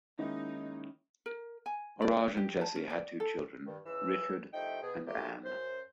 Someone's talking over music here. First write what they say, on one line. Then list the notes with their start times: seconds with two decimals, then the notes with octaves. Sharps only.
Orage and Jessie had two children, Richard and Ann.
0.19 D#3 G#3 A#3 C#4 D#4 E4 D#5
1.26 A#4
1.66 G#5
2.02 D5
2.37 G4
2.61 A5
2.75 C#4
2.90 D5
3.20 A4
3.66 G2 D#3
3.85 C#2 E3 E6
4.54 C2 F3 A3 D#4 E5 G5
4.82 B2 G#4
5.06 A3 A#3 F#4 G4
5.44 F#2 C5